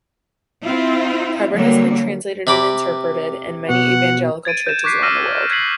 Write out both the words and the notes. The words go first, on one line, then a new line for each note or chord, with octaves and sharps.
Covered has been translated and interpreted in many evangelical churches around the world.
C4 E4 F4
D3 F#3 G3 A#3
C3 B5 D6
B2 B3 F#4 F#5
G#6 A6 D7 D#7
G6 E7
C#6 D6 F#6 B6 C7
D6 E6 F6 A#6 C7 D#7
F#6 G#6 B6 C7 F#7